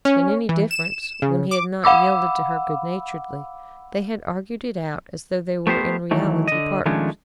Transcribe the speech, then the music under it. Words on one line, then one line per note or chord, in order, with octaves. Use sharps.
In any difference, when he had not yielded to her good-naturedly, they had argued it out as though they were in reality partners.
C#4
E3
E7
C#3
D6
F5 F#5 B5 D6 E6
A3 B3 G4 C5
D#3 E3 F#3 A3
D3 D#5
D#3 F3 G#3 A3 C#4 D4